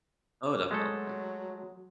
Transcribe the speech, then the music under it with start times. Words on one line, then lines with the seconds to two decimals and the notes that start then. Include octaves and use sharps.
Oh, definitely.
0.71 F#3 G#3 A3 A4